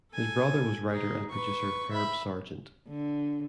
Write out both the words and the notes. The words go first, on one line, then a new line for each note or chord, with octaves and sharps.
His brother was writer and producer Herb Sargent.
A4 G#5
D#4 G#4
B4 C#6
E5 B5
D3